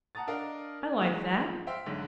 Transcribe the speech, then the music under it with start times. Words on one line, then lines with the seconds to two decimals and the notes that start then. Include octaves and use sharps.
I like that.
0.15 F#5 A5 A#5 D#6 A6
0.27 D4 A#4 D#5 F5
1.01 E3 F#3 G#3
1.37 G#2 F3
1.67 C5 E5 F5 G5 C6
1.86 B1 G#2 D3